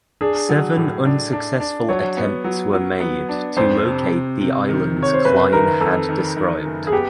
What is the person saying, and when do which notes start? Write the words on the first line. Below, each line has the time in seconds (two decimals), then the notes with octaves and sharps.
Seven unsuccessful attempts were made to locate the islands Klein had described.
0.21 D4 G#4
0.49 F#3
0.77 A2
1.05 D4
1.33 D4
1.60 D4
1.89 F#3 C#5
2.17 B3
2.44 F#3
2.73 F#3
3.00 B3
3.29 D4
3.57 F2 C5
3.85 C3
4.13 C3
4.41 C3
4.69 D#3
4.96 C3
5.03 C#5
5.13 C5
5.25 F#1 B4
5.53 D#3 A#4
5.81 F2 A4
6.09 D#3
6.37 D#3
6.65 F#1
6.87 G#4
6.92 B3 G4